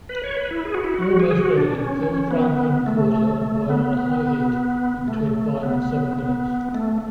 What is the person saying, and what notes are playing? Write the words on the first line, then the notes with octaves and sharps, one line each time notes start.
When almost ready, fill the frying pan with water and boil on a high heat for between five and seven minutes.
B4
C#5
B4
E4
G#4
F#4
E4
F#4
G#4
G#4
F#4
D4
C#4
C#4
B3
A3
A3
B3
A3
B3
B3
A3